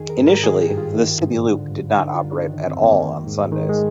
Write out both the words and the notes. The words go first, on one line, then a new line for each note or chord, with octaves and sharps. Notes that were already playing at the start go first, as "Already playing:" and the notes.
Initially, the City Loop did not operate at all on Sundays.
Already playing: F2 D#3 G#4
A#4
G#2
A#4
D#3 G#4
G4
G2
F4
D#3
G#2
D3
G2
D3 D#4
F4
G2
D4
D#3
C4
F2
A#3
D#3
G#2
D#3 G#3
G#3